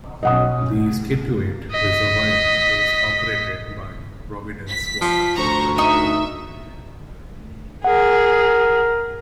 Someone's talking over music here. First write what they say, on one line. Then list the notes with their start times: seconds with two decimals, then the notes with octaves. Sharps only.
The Scituate Reservoir is operated by Providence Water Supply Board.
0.23 B1 F#3 C#4 D#5 F#5 D#6
1.72 D#5 B6
4.69 B6
5.01 F3
5.38 D2 C5 A#5 C#6
5.78 D#4 E5 C#6
7.85 G#4 A#4 F#5